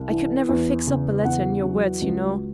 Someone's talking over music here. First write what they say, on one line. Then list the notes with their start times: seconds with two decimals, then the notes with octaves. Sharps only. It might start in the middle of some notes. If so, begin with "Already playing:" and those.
I could never fix up a letter in your words, you know.
Already playing: C2
0.10 E3
0.49 E2
0.87 C#3
1.25 E2 F#5
1.64 F#3
2.02 C#2